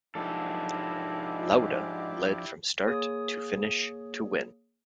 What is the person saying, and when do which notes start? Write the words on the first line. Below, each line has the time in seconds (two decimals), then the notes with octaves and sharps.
Lauda led from start to finish to win.
0.15 G#2 F3 D4 E4 G4 A4
2.87 A#3 G#4 C#5 D#6